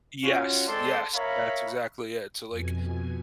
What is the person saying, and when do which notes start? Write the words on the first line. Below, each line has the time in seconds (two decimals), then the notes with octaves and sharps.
Yes, yes, that's exactly it. So, like,
0.24 C#4 F4 F#4
0.67 G#3 C4 A4 D5 A5 C6
1.14 A#4 C#5 E5 F5 A#5 B5
2.50 F2 B2 G#5